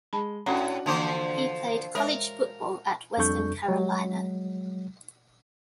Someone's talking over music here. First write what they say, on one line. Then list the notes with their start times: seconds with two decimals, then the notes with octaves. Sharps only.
He played college football at Western Carolina.
0.13 G#3 A5 B5
0.46 A2 C#4 D4 F#4 C#5 F#5 A#5
0.86 D3 E3 F3 A#3 C5
1.95 G#3 A#4 C#5 E5
3.17 F2 G3 D4 A4 C#6 G6
3.68 F#3 G#3